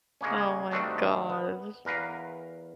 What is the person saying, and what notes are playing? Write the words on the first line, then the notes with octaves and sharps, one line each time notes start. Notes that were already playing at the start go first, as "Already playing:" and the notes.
Oh my gosh.
C#3 G#3 A#3 C#4
G2 D#3 A3 C4 D4 F#4
B3
E2 A#4 B4 F5